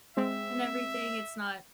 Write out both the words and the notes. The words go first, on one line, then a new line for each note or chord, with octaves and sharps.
and everything, it's not,
G#3 C4 E5